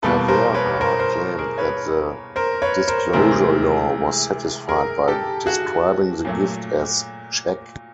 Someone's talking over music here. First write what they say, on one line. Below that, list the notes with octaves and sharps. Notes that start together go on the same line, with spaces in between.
Ceverha claimed that the disclosure law was satisfied by describing the gift as 'check'.
E2 B2 G3 A#3 A4 B4
A#4 C5
B4 C#5
A#4 C5
A#4 C5
G#4 A#4
B4 C#5
A#4 C5
B4 C#5
A#4 C5
D2 C3 E3 G#3 A#4 C5
G#4 A#4
G4 A4
F#4 G#4
A#2 F#3 A3